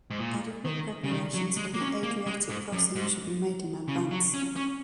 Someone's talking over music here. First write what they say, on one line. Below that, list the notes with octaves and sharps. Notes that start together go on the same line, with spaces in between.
Adequate preparations for the Adriatic crossing should be made in advance.
G#2
A#2
D#3
C#3
D#3
F#3
G#3
A#3
C#4
A#3
G#3
G#2
F#2
G#2
C#3
F#3
C#4
C#4